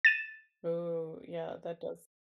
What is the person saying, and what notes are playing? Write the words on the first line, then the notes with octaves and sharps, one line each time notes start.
Ooh, yeah, that does
A6 D#7 E7